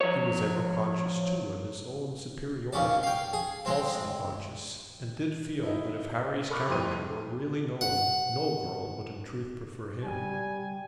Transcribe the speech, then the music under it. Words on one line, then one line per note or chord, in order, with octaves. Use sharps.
He was ever conscious, too, of his own superiority,--falsely conscious,--and did feel that if Harry's character were really known, no girl would in truth prefer him.
F3 C#5
D#2 C#3 C#4 D5
F5 G5
G#4
G#3 C4
D#4 E4
A4 B5 C#6 D6 F6 F#6
F2 A2 G3 C6 D#7
F#5
G3 G#5